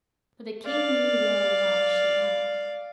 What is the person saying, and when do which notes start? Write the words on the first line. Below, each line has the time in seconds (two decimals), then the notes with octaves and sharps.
But the King knew well why she asked.
0.65 D5 F5